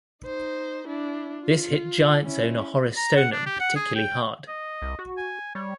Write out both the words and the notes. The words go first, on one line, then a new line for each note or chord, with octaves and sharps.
This hit Giants owner Horace Stoneham particularly hard.
D#4 C5
D4 E4
F4
C#4 E4
A#5
F#5
D4
G4
F#5
G#4
G5
D#5
C2
F#4
G#5
G3 C#5